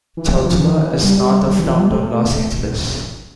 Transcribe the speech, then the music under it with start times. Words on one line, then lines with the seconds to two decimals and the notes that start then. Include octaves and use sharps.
Chowchila is north of Downtown Los Angeles.
0.17 E3
0.32 F3
0.45 F3
0.60 E3
0.75 D3
0.81 E3
1.03 G3
1.59 E3
1.68 F3
1.79 G3
1.88 A3